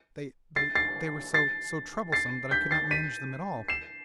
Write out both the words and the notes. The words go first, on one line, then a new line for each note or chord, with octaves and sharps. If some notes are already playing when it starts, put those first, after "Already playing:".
They--they--they were so--so troublesome--that I could not manage them at all.
A6 C7
A6 C7
A6 C7
A6 C7
G6 B6
A6 C7
B6 D#7
C7 E7